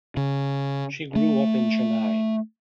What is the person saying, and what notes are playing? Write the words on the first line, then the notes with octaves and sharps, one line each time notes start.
She grew up in Chennai.
C#3
A3